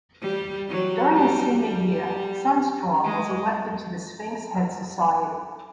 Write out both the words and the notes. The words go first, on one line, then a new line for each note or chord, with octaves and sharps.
During his senior year, Sundstrom was elected to the Sphinx Head Society.
G3
F#3
G3
G3
G#3